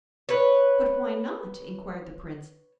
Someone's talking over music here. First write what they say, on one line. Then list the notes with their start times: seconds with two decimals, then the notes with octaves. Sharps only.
"But why not?" inquired the prince.
0.29 B4 C#5